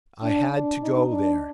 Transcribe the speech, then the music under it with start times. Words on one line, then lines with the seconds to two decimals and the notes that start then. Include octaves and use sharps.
I had to go there.
0.22 D4
0.53 D4
0.83 D#4
1.12 D4